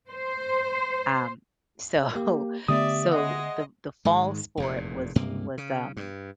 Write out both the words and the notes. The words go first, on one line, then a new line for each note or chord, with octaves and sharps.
Um, so so the the fall sport was was, um
C5
A#3 G4
D3 A3 B3 G4 D5 E5 D#6
G#3 D#5 F#5
G#2 D#3 G#3
F1 E2 A#2
C#2 G2 C3 A#3
C#3
G2